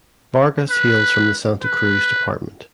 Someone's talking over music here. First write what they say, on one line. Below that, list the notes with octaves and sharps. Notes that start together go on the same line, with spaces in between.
Vargas hails from the Santa Cruz Department.
B4
B4